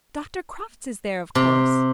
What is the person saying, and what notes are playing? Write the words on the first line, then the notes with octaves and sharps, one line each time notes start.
Dr. Crofts is there, of course.
C3